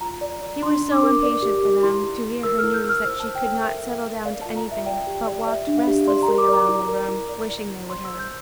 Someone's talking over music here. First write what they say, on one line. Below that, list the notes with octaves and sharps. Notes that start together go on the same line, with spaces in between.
She was so impatient for them to hear her news that she could not settle down to anything, but walked restlessly around the room, wishing they would hurry.
F4 A#5
D5
D5
D4 C6
D4
D6
A#4
D5
G4
G4
E4 C6
E4
E4
A#4 E6
F6
E4
G6
E4 E6 F6
C5 E6
A5
C5
G5
A4
G5
A#4 E5
E4
A#4
D5 F5
F4 A5
A#5
F4
E5
D5 G5
G4
D5
D5 E5
D4
F5
G4
D5 C6
A#5
A#4
D6
D5 A#5
E4
A#4
E4
D5
D5
E4
C5 C6
C5 E6
G6